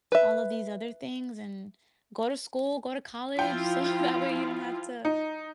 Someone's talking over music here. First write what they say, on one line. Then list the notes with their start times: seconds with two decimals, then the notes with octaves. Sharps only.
all of these other things, and go to school, go to college, so that way you don't have to
0.12 B4 E5
3.39 F3 E4 F4 G5
5.05 D#4